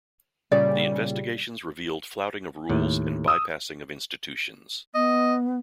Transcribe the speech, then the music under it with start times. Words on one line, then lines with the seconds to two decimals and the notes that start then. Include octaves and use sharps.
The investigations revealed flouting of rules and bypassing of institutions.
0.52 A#2 C#3 G3 D5
2.70 D#2 A2
3.28 D#6 E6
4.95 B3 D#5